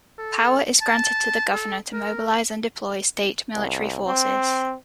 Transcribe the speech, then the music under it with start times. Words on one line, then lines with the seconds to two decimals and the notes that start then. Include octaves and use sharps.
Power is granted to the governor to mobilize and deploy state military forces.
0.18 A4
0.82 A5
1.53 A4
1.93 A#4
3.55 C2
4.07 C4